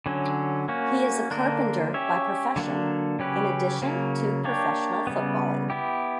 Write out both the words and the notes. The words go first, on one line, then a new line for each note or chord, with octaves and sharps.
He is a carpenter by profession, in addition to professional footballing.
D3 F#3 C#4
A#3 C#4 F#4
D3 A#3 D4 A#4
C#4 G4 C#5 E5
D3 F#3 A#3 D4
C#3 F#3 C#4 G4 B4
C#3 F#3 A#3
A#3 D4 G4 C#5
C#3 G3 B3
B3 E4 G4